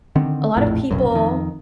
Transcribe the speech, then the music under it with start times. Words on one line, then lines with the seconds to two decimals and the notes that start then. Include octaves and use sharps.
a lot of people,
0.16 D3 D#3 C4
0.57 A#1 F2 A2
0.91 F1 B1 F#2
1.11 F2 D#3